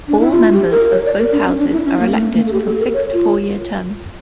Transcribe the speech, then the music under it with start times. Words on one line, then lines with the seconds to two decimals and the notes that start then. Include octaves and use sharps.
All members of both houses are elected for fixed four year terms.
0.08 D4
0.20 E4
0.31 F4
0.52 G4
0.72 A#4
0.91 C#5
1.05 D5
1.19 A#4
1.32 D4
1.46 C#4
1.59 D4
1.72 E4
1.86 C#4
2.00 A#3
2.13 A3
2.33 A#3
2.47 A4
2.53 G4
2.66 A4
2.80 A#4
2.94 C#5
3.13 F4